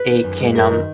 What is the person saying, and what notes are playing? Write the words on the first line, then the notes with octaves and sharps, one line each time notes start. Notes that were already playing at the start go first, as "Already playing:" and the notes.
it can, um
Already playing: B4
D#3
F#2
G#3
F#2 A#4
D#3